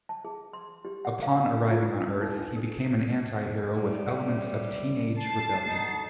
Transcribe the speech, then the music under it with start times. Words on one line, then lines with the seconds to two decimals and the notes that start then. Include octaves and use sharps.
Upon arriving on Earth, he became an anti-hero with elements of teenage rebellion.
0.09 A5
0.25 G#4
0.53 C6
0.85 G4
1.05 F#5
1.23 F5
1.70 F4
1.93 D4
2.22 D#4
2.39 D4
2.56 A4
3.73 A2 G3
5.18 A5 C7
5.68 D3 D#4 F#4